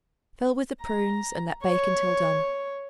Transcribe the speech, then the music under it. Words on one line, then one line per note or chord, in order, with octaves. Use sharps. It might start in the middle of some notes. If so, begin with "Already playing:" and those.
Fill with the prunes and let bake until done.
A#5
C#5